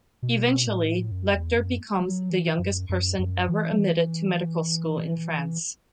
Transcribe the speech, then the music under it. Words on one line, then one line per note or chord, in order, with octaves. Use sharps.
Eventually, Lecter becomes the youngest person ever admitted to medical school in France.
B2
A2
F#2
E2
F#2
F#3
E3
F#2
F#2
F#2
E3
F#3
E3